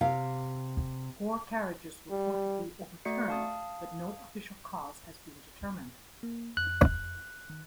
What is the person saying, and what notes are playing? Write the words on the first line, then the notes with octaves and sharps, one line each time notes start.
Four carriages reportedly overturned, but no official cause has been determined.
C3 F5
G3
A3 F#4 D5 C#7
F5 A5 D#6
A#3
F2 F#6
D#3